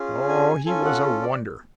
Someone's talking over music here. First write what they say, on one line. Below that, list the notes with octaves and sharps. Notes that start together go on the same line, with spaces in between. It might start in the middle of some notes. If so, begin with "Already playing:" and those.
Oh, he was a wonder!
Already playing: C#4 F4 G#4
G#5
C#4 F4 A4 G#5
F#5
D5